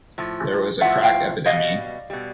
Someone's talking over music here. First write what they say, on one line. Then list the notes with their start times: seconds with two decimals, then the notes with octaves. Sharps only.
There was a crack epidemy.
0.18 A2 F3
0.81 A2 F3 A3 E5 F#5
1.03 F5 G5
1.45 B2 G3 D#5 F5
2.10 B2 G3